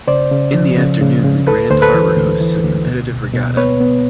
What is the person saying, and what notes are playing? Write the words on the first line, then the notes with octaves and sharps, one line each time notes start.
In the afternoon the Grand Harbour hosts a competitive regatta.
C#3 C5 D5
C#3
F3
C#3
C#3
C#3
D2 A4 B4
D2 C5
A4 B4
E3
D2
E3
D2
B2
C2
B2
B3 B4 C#5
B3